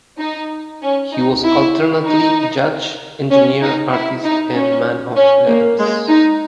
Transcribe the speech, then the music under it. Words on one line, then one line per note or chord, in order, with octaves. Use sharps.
He was alternately judge, engineer, artist, and man of letters.
D#4
C#4
D#4
E4
D#4
C#4
D#4
E4
D#4
C#4
C#4
A#3
G#3
D#4